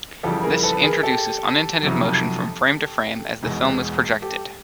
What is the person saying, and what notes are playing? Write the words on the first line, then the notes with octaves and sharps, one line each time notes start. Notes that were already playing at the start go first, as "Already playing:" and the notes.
This introduces unintended motion from frame to frame as the film is projected.
F2 C#3 E3 G3 G4 A4
G#4 A#4
A4 B4
B4
G#4 A#4
G4 A4
F2 C3 D#3 F#3
E1 E2 B2
G4 A4